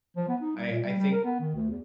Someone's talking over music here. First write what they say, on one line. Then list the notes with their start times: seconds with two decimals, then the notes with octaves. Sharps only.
I I think
0.17 F3
0.28 B3
0.41 D#4
0.56 G3
0.70 A#2
0.83 G3
0.99 G3
1.12 A#4
1.25 B3
1.40 D#3
1.55 D2
1.70 E2